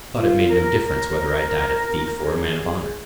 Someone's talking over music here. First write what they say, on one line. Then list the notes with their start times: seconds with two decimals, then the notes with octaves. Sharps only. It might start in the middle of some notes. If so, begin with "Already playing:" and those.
I thought it made no difference whether I died a thief or a man of honor.
0.19 F4
0.52 A#4
0.86 A#4
2.20 G#4